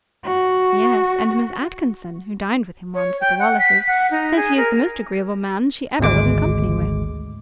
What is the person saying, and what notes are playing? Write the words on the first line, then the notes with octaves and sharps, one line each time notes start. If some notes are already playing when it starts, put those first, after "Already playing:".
"Yes, and Miss Atkinson, who dined with him once at the Wallises, says he is the most agreeable man she ever was in company with."
F#4
C#5
G5
F#5
B6
F#5
D#4
G#4
A#4
G#1 D2 G#3 D6